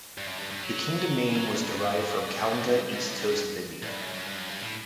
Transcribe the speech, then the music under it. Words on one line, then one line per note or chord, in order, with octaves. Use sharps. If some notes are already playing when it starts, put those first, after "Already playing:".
The kingdom name was derived from Kalinga east coast of India.
G2
F#2
G2
G2
F#3
E3
F#3
A2
G2
G2
B2
A2
G2
G2
B2
A2
G2
G2
A2
G2
F#2
F#2
G2
F#2
G2
A2